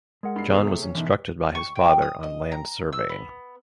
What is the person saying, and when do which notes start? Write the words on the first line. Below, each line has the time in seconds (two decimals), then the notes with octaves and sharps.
John was instructed by his father on land surveying.
0.23 G#3 A#4 F#5
0.36 G2 C7
0.51 D3 B3 G#4
0.63 C3 A3
0.82 C#4
0.95 G1 B2 D#3 E3
1.55 C#6
1.75 G5
2.02 D#6
2.23 D#5
2.52 A#5
2.93 E6
3.09 B3